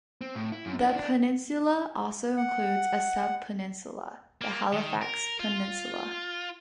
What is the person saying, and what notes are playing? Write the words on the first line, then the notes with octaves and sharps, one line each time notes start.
The peninsula also includes a sub-peninsula - the Halifax Peninsula.
C4
A2
E4
F#2
D4 E4
D4
F#5
A#3
D#3
A#4
F4